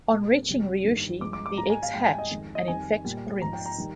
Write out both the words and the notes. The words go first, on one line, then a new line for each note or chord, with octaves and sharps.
On reaching Ryushi, the eggs hatch and infect Rhynths.
A#2 G3
F2 C3 G3
G2 D#3 G3
G2 F3 G#3 D6
D6
D6
G#2 G3 A#5
G#5
F5
G#2 G3 G5
G#5
D#5
F2 D#3 G#3
D#5
F2 D#3 G3 G#5
A#2 G3
G#2 F3 G#3 A#5
G5
A#5
D#3 G3